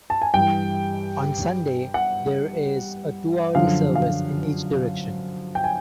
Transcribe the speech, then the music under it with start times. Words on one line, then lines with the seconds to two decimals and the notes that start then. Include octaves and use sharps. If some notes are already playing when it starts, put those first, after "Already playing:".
On Sunday, there is a two-hourly service in each direction.
0.10 A5
0.22 G#5
0.34 G2 E3 G5
1.94 F#5
3.55 F#2 D3 F3 F5
3.95 F5
5.55 G5
5.64 G#5